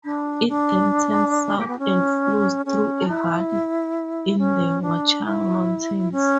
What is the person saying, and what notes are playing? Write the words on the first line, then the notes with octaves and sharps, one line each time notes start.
It then turns south and flows through a valley in the Watchung Mountains.
D4
D4
A#3
B3
C#4
C#4
E4
C#4
D4
E4
C#4